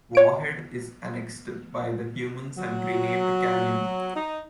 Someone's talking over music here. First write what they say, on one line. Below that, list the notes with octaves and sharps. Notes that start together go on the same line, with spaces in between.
Warhead is annexed by the humans and renamed Canyon.
C#5 D7
F#3
D#4